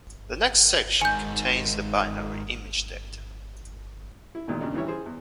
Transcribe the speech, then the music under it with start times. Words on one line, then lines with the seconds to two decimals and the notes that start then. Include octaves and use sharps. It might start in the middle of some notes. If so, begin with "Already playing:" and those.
The next section contains the binary image data.
1.01 G#2 D#3 G#5 G6
4.35 E4
4.47 B1 E2 A#2 D#3 G#3
4.60 E2 G2 C#3 D4 D#4
4.74 D#3 E3 G3 E4 C#5 E5
4.88 G#4 C5
5.06 E2